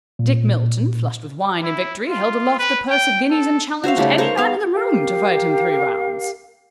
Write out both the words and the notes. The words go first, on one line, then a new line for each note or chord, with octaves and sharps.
Dick Milton, flushed with wine and victory, held aloft the purse of guineas, and challenged any man in the room to fight him three rounds.
A#2
E4
F4
B4
G5
A4
F#4 C5 E5 F5
C#3 G3 A3 D#4
C5 F5 A#5 C#6
B3 F5
G4 A#4 F5